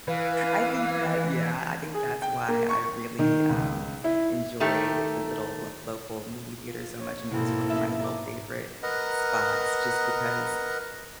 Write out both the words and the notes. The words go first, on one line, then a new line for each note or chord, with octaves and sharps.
I think that yeah, I think that's why I really, um, enjoyed the little lo local movie theater so much, and it was one of my little favorite spots, just because
E3 B4 F5
G#4
G5
A#3
C#6
D#3
C#2
E4
D#3 A3 G4
F4
C#5
G#2 B2 G#3 A#3 C4 E4 A4
B3 E5
A#5 D6
A#4 B4 D#5 F#5 A#5